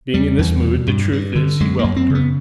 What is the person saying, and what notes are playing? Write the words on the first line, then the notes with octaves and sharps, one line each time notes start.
Being in this mood the truth is he welcomed her.
E2 G3
E2
B2
G2
G2
D3
F#2 G#3
A#3
F#2
C4
C#3
B3